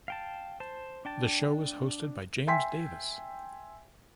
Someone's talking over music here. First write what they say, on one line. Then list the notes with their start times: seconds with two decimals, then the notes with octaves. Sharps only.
The show is hosted by James Davis.
0.08 F5 G5 A5
0.60 C5 A5
1.05 D4 G5 A5
2.47 E5 G5 G#5 C6 B6